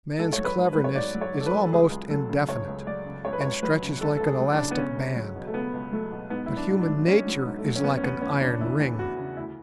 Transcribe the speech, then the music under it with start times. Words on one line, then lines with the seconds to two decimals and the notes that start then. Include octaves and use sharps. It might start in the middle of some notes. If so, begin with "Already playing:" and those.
Man's cleverness is almost indefinite, and stretches like an elastic band, but human nature is like an iron ring.
0.18 G#2 A4
0.33 C#5
0.38 F#3
0.44 B4
0.57 G#2
0.73 F#3 B4
0.84 C#5
0.95 G#2 D5
1.15 F#3
1.21 C#5
1.33 G#2
1.40 A4
1.46 B4
1.53 F#3
1.66 A4
1.72 C#2 G#4
1.90 C#2
2.10 F#3 A4
2.29 C#3
2.48 C#2 C#5
2.67 C#2
2.87 F#3 D5
3.05 C#3
3.25 C#2 C#5
3.33 B4
3.41 C#5
3.45 C#2
3.63 F#3 B4
3.82 C#3
4.01 C#2 A4
4.16 C#2 A4
4.27 G#4
4.40 F#3
4.53 D4
4.59 C#3
4.71 B3
4.77 C#2 C#4
4.96 C#2
5.15 F#3
5.36 B2
5.47 A3
5.54 C#2 B3
5.74 C#2
5.92 F#3 A3
6.12 B2
6.30 G#2 B3
6.46 F#3 E4
6.57 D4
6.69 G#2
6.81 D4
6.89 F#3
7.07 G#2 C#4
7.27 F#3
7.46 G#2
7.58 A3
7.65 F#3
7.76 C#4
7.84 E2 B3
7.97 C#4
8.03 E2 B3
8.22 E3 C#4
8.41 C#3 D4
8.61 E2 E4
8.80 E2
8.98 E3 F#4
9.17 C#3
9.37 D2 E4